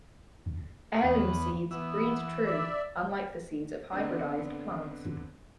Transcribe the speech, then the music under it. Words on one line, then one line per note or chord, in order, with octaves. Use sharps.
Heirloom seeds "breed true," unlike the seeds of hybridized plants.
E2 B3
E3 B3 E6
D5 E5
D3 B3 C4 D4